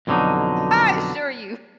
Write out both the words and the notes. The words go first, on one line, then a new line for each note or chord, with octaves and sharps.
I assure you.
F2 B2 D3 F#3 D#4